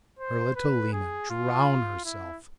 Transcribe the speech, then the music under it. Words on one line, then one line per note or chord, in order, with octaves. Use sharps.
Her little Lena drown herself!
C5
B4
G#4
F4
E4